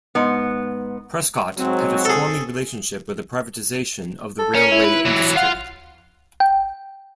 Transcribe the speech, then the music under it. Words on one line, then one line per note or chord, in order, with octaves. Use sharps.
Prescott had a stormy relationship with the privatisation of the railway industry.
G#2 B3
G#2 F#3 C4
G#4 A4
A4
C#4 A#4
E4
B4
E3 F#3
F4 F5 F#5
G5